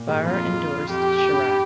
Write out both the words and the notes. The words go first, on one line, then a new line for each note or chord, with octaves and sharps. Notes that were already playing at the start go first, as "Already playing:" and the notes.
Barre endorsed Chirac.
Already playing: A#2
G#2
F2 F4
F2 G4
G2